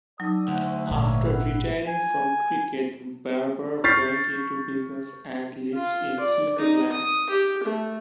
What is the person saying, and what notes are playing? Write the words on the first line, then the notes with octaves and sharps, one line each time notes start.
After retiring from cricket, Barber went into business and lives in Switzerland.
F#3 D#4 A4 D5 D#6
D2 C5 E5 F#5
G#1 A#2 A#3 C#5 E5
E4 F#5
G#5
C#6 F6 G6 A6 B6 C7
F4
D5
D#4
D#6
G4
A3